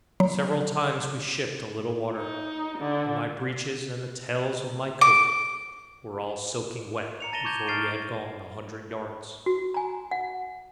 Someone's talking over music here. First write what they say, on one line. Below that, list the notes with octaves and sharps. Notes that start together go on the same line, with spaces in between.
Several times we shipped a little water, and my breeches and the tails of my coat were all soaking wet before we had gone a hundred yards.
F#3
D#4
D3
D6
A#5 C#7 F7
A5 A6 A#6 D#7 E7 G7
C#6 D6 G6 G#6 A#6
F6 A6 C7 D7 D#7
F#4
G#5 A#5
F#5